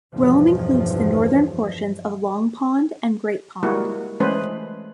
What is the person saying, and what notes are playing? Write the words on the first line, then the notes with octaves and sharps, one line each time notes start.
Rome includes the northern portions of Long Pond and Great Pond.
B1 E2 G2 F3
G3 G#3 A#3 E4 F#4
E3 G#3 A3 C#4 B4 C5